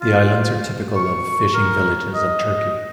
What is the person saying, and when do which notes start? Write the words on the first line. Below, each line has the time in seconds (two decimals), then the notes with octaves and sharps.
The islands are typical of fishing villages of Turkey.
0.02 F4
0.96 C#6
1.54 A#4
2.15 D#5